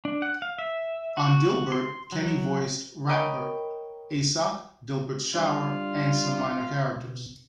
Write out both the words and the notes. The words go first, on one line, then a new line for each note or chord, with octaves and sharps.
On "Dilbert", Kenny voiced Ratbert, Asok, Dilbert's shower, and some minor characters.
D4
F#5
F5
E5
F#4
C6
F#3
A#4 C#5 D#5 G5 B5 D7
G3 D4 F4
B2